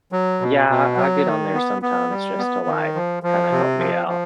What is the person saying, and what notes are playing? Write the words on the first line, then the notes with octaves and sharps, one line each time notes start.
Yeah, I I get on there sometimes just to, like, kinda help me out.
F#3
B2
B2
F#3
D#3
B3
B3
G3
B3
D#3
F3
F3
C3
F3
F3